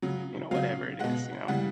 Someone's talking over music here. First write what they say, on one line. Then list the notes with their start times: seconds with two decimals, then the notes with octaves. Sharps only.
you know, whatever it is, you know?
0.02 C#3 F#3
0.51 C#3 F#3 F5
0.99 B2 G#3 F#5
1.48 C#3 E3 G3 F#5